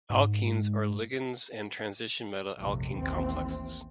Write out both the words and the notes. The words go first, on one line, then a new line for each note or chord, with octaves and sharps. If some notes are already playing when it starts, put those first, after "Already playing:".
Alkenes are ligands in transition metal alkene complexes.
G#2
A#1 F2 A2 C3
A1 D#2 E3 C4